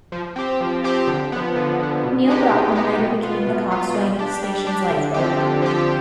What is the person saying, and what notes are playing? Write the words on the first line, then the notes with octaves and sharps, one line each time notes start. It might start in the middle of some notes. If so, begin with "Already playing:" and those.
Neil Brockman later became the coxswain of the station's lifeboat.
F3
C4 G4
F3
C4 G4
D3
F3 B3
D3
F3 B3
B2
G#3 B3 D#4 G4
B2
G#3 B3 D#4 G4
B2
B3 F4
B2
B3 F4
G3
D4 G4
G3
D4 G4
D3
F3 C4 G4
D3
F3 C4 G4